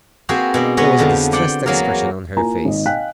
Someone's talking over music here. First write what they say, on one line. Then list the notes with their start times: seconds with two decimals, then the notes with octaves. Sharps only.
There was a distressed expression on her face.
0.29 A#3 C4 F#4 G#4 B4 C5
0.54 B2 G#3 D4
0.77 G#3 B3 F#4 B4 C#5 D#5
0.99 F2 D3 F3
1.32 C5 D5 F#5 G5
1.66 E2 F#3 A#3 G#4 A#4
2.37 A#3 E4 F4 G#5 A#5
2.65 G#1 D#5
2.86 D#5 F5 G5 G#5 F#6 B6